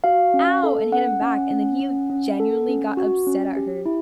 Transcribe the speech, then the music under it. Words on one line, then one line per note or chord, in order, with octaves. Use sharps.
"Ow!" and hit him back, and then he genuinely got upset at her,
F#4 F5
C#4
A4
C#4 F#5
C#4
C#4
C#4
C#4
A4
C#4
F#4
C#4
G4
E4